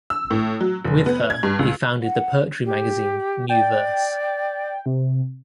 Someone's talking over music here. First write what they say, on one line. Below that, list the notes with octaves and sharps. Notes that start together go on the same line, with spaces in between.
With her, he founded the poetry magazine "New Verse".
E6
A2
F#3
F1
B3
G#6
G2
C#2
F#5
G4
D5 G5
C3